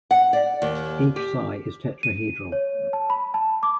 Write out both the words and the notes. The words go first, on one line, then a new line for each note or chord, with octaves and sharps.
Each Si is tetrahedral.
F#5
D5
D#2
G4
D#7
C#5
A5
B5
A5
D6